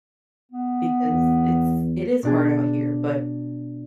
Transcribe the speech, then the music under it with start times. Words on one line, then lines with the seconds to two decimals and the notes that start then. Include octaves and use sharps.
because it's it is hard out here, but
0.52 B3
1.07 E2
2.23 B2 D4 G#4